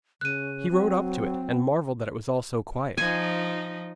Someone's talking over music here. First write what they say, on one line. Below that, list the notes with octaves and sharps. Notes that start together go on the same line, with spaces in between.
He rode up to it, and marvelled that it was all so quiet.
C#3 F#6 D#7
F#3 C4
F3 D#4 G#5